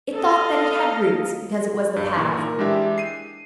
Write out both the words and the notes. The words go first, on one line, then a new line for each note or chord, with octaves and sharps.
It thought that it had roots, because it was the past.
A4 D#5 F5
G2
A#2 E3 D#4
A#4
E3 G#3 D4 G4 E5
C7 D#7